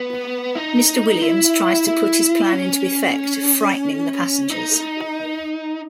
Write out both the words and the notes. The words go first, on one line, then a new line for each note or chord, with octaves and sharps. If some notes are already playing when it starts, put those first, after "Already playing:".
Mr. Williams tries to put his plan into effect, frightening the passengers.
Already playing: B3
D#4
E4
E4
C#4
D#4